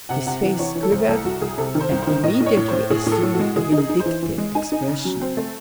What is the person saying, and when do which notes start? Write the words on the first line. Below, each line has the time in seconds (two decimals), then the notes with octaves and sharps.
His face quivered and immediately assumed a vindictive expression.
0.09 C3 F#5
0.27 C3 F#5
0.43 E3
0.59 E3 C#5
0.75 E3
0.83 A4
0.91 C2 C5
1.08 C2 A4
1.25 C2 F#4
1.41 C2 G#4
1.57 C3 A4
1.75 D#3
1.81 C5
1.91 C2
2.03 D#3 C5
2.23 A2 D#5
2.40 A2
2.46 C#5
2.57 A2
2.68 A2 C5
2.90 A2 G#4
3.06 A2
3.12 A4
3.23 A2
3.34 F#4
3.39 G#3
3.56 E3 G#4
3.72 D#4
3.78 G#4
3.89 D#4
4.00 C5
4.06 E3
4.22 E3
4.38 G#3
4.55 D#4 G#5
4.72 D#4
4.88 C#3
5.05 F#3
5.21 C4
5.37 A3